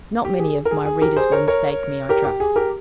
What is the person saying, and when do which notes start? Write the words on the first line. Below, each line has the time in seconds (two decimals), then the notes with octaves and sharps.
Not many of my readers will mistake me, I trust.
0.25 G4
0.39 G#4
0.65 A#4
0.71 G#4
0.85 G#4
1.02 G4 A#4
1.16 G#4 C5
1.32 A#4 C#5
1.48 A#4 C#5
2.09 G4 A#4
2.25 G4
2.40 G#4
2.56 G4 A#4